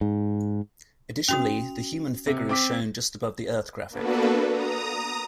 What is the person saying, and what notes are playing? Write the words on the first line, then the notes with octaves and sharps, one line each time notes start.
Additionally, the human figure is shown just above the Earth graphic.
G#2
C#4 F#4 D#6 F7
C3
C4 D6 B6
A#3 B3 D4 F#4 A4 B4
A#5 D#6